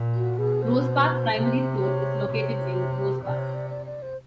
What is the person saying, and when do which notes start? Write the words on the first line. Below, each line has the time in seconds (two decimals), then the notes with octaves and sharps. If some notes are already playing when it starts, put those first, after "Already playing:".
Rose Park Primary School is located in Rose Park.
Already playing: A#2
0.15 F#4
0.38 B2 G#4
0.62 C5
1.33 C3
1.80 C#5
2.29 C3
3.23 C3 D5
3.39 C#5
3.54 D5
3.70 D5
3.86 D5
4.02 C5